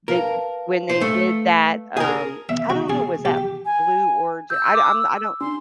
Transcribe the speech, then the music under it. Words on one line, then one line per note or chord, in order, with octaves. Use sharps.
Did when they did that, um I don't know, was that Blue Orig I I'm I don't
A#4 B4 F5 A5
C5
A3
G#4 A#4
E5
F#4
G#4
G4
G#5
E6 G6
D6
D4 C6